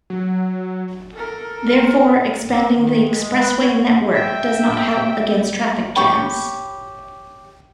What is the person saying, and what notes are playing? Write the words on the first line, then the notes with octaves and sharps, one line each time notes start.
Therefore, expanding the expressway network does not help against traffic jams.
F#3
A4 A#4
C4
D#3
G#3
G#3
B4
C#5
E5 G5
G4 C#5 G5 B5